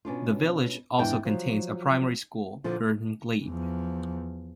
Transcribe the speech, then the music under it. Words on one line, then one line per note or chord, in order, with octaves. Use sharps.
The village also contains a primary school, Girton Glebe.
B2 C#4 D4 F4
E2 G#2 D4 G5 G#5
F3 F#3
A#2 D3 F3
E2 F3